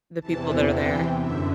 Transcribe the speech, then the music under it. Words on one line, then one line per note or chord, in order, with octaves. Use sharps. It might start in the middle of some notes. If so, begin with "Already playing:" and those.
The people that are there.
E2 C3 E3 A5
G5
F#2 D3 E5